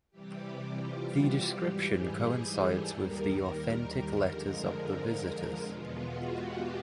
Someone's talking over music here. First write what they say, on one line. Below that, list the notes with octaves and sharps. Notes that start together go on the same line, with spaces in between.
The description coincides with the authentic letters of the visitors.
C3 E3 G3 G4
F4
F#4
G#2 E3 G3 G4
G#4
G4
A4
D#2 D#3 G3 A#4
A#4
F2 D3 F3 G#3
E2 B2 G#3 B3 F4
F#4
G4